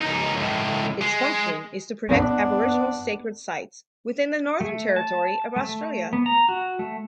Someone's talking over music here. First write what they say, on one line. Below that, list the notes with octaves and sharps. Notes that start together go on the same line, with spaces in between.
Its function is to protect Aboriginal sacred sites within the Northern Territory of Australia.
C#2 D#4
C#2 A2
G#3
B3 D4
A3
A5
A3
B3
A#5
F#4
A3